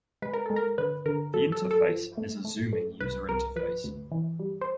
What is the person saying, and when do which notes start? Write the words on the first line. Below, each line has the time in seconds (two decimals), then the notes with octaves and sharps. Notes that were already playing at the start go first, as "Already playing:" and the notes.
The interface is a zooming user interface.
0.22 G#3 B4
0.33 A#4
0.46 G#3 A4
0.56 A#4
0.78 D3 B4
1.06 D3 A#4
1.34 F#3 A4
1.52 A4
1.62 F#3
1.71 A4
1.89 F3
2.17 A3
2.45 A3
2.73 A3
3.00 C2 B4
3.28 C2 A#4
3.56 F3 B4
3.84 D2
4.12 E3
4.39 G3
4.61 C5